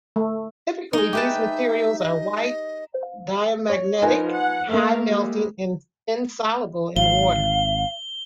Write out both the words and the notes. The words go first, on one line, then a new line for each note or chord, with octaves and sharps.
Typically these materials are white, diamagnetic, high-melting, and insoluble in water.
A3
G#3 D#4
G4 B4 E5 A5
D#5
C#5
F3 D#4 A#4 B4 G#5
F#5
A3 A#3 A#4 E5 F5
G3 G#3
G#1 F5 G7